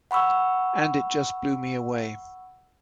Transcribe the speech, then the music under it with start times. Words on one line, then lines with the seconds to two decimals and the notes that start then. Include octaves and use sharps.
And it just blew me away.
0.11 F#5 B5 C#6 E6